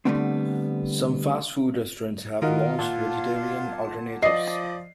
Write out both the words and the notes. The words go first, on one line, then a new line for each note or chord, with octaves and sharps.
Some fast food restaurants have launched vegetarian alternatives.
D3 E3 G3 A3 B3 C4
D#3 F4 F#4 A#4 D#5
A#2 F#5 A5
F3 D5 D#5 D#6 C7